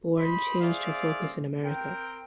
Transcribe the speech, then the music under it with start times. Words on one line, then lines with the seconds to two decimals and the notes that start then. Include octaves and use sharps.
Born changed her focus in America.
0.18 C5 D#5 B5
0.61 G#4 C5 D5 E5 F5
1.64 C4 A#4 G5